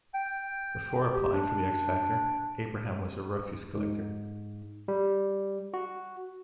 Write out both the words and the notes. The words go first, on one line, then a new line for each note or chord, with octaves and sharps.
Before applying for "The X Factor", Abraham was a refuse collector.
G5
G4
D4
G#2
G3
F#4